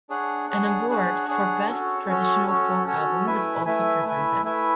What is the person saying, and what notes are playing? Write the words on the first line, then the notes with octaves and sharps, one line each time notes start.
An award for Best Traditional Folk Album was also presented.
D4 G#4 C#5 F#5
D4 G#4 C#5 F#5
D4 G#4 C#5 F#5
D4 G#4 C#5 F#5
C#4 F#4 A4 C#5
C#4 F#4 A4 C#5
C#4 F#4 A4 C#5
C#4 F#4 A4 C#5
A3 E4 B4 E5 G#5
A3 E4 B4 E5 G#5
A3 E4 B4 E5 G#5
A3 E4 B4 E5 G#5